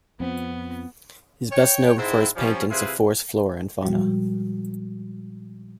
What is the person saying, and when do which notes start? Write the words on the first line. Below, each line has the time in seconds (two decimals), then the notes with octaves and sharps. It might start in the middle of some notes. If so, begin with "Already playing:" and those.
He is best known for his paintings of forest flora and fauna.
0.20 F2 F3 B3 C4
1.51 C#5 G5
1.98 G#2 C4 E4
2.36 F3 G3 C#4
2.71 C3 E4 F4 G#4 B4 C5
3.82 A#2 F3 G3 G#3 F#4